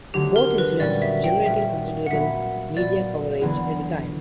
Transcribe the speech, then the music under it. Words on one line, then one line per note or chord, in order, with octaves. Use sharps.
Both incidents generated considerable media coverage at the time.
D2 D3 F#3 G4
A#4
B4
A#2 G3 C#4 F#4 D5
E5
G5
A#2 G3 C#4 F#4 E5
F#5
A#2 F#3 B3 F#4 E5
A#2 F#3 B3 F#4 D5
E2 D3 F#3 B3